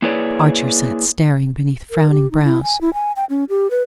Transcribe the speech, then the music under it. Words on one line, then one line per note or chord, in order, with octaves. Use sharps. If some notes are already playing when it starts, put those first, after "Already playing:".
Archer sat staring beneath frowning brows.
A#3 E4 G#4 B4 C#5 D5
A#4
G4
D#4
E4
G#5
E4
G#5
G5
C#4
G4
B4